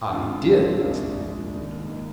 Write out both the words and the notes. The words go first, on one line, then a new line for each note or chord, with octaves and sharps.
"I did," was the angry retort.
D3 G#3 C4 F4
D3 G#3 C4 F4
C2 A#2 G#3 D4
C2 A#2 G#3 D4
D#2 D#3 G#3
D#2 D#3 G#3